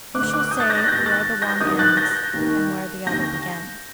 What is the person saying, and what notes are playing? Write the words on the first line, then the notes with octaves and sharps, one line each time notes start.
Who shall say where the one ends, and where the other begins?
D2 D3 D6 F#6
D6 F#6
D#6 G6
F#6 A6
G6 A#6
F#6 A6
D#2 D#3 G6 A#6
F#6 A6
G6 A#6
G2 D#3 D#6 G6
F#6 A6
G6 A#6
D#2 D#3
D#2 D3 G6 A#6